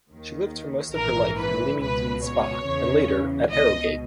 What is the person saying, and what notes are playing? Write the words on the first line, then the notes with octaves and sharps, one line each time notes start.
She lived for most of her life in Leamington Spa and later at Harrogate.
D#2 D#3
A#1 G#2 E3 A#4
B4
C#2 B2 B4
C#5
E2 C#3 E3
C#2 B2 D#5